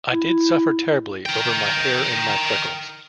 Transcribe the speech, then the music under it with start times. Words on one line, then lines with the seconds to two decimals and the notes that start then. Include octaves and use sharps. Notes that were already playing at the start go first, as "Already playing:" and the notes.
I did suffer terribly over my hair and my freckles.
0.10 E4
1.26 A#4 G5